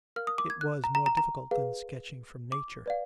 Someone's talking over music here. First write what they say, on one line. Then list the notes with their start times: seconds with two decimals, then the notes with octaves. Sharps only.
It was more difficult than sketching from nature.
0.16 A#4 F5 F6
0.27 D#6
0.38 D6
0.50 G#6
0.61 F#6
0.84 A#5
0.95 A#5
1.06 A#5
1.17 A#5
1.51 G#4 B4 F5
2.52 D6
2.86 B4 D5 F5